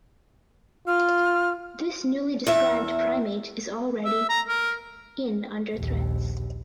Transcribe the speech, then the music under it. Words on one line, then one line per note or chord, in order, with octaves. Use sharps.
This newly described primate is already in under threats.
F4 F6
E2 E5
E5
A#5
A#4
A#1 D#2